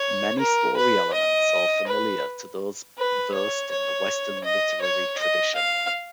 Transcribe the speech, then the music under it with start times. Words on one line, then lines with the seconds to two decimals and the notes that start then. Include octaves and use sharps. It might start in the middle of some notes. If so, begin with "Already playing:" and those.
Many story elements are familiar to those versed in the Western literary tradition.
Already playing: C#5
0.39 A#4
0.76 B4
1.13 D#5
1.87 B4
2.97 B4
3.34 C#5
3.71 C#5
4.44 D#5
4.81 C#5
5.18 D#5
5.55 F5